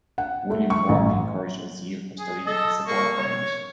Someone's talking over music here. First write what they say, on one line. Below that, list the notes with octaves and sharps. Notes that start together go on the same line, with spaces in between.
William warmly encouraged her zeal for study and supported her in it.
F#5
A3
C#6
A1
G#4
A4 D#5
A#3 C#6
C#5